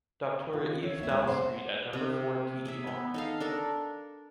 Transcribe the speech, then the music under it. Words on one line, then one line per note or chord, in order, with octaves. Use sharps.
Docteur Yves Dalle Street at number four TER.
D#3 F4
C#5 E5
D#2 E5
B2 G#3
C5 F#5
C3
G#4 E5
B3
D#4 A4 F5
D4 A4 A#4